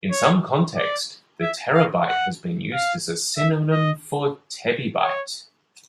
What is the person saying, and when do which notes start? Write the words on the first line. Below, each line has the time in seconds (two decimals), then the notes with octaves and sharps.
In some contexts, the terabyte has been used as a synonym for tebibyte.
0.11 C#5
0.76 D5
1.41 E5
1.74 F5
2.08 F#5
2.73 F5
3.38 E5
3.72 D#5
5.02 C#5